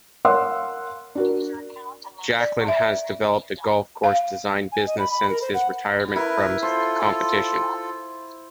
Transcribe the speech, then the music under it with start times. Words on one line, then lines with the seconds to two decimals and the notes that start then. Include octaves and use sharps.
Jacklin has developed a golf course design business since his retirement from competition.
0.25 A#4 C#5 F5 F#5 C6 E6
1.15 D4 F#4 A#4
2.41 D5
2.68 E5
4.04 F5
4.72 G#5
4.87 D#5
4.99 B5
5.11 B5
5.29 A#4
5.42 C5
5.54 F#5
6.16 E4 A#4 B4
6.62 F4 A4 C5